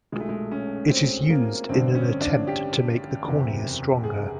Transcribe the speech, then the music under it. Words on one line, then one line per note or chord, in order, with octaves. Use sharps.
It is used in an attempt to make the cornea stronger.
B1 A#2 G#3
A3
G#3
C#4
C4
A#3
A1 G2 D3 C4
C#4
D4
G4
F#1 E2 C3
G#4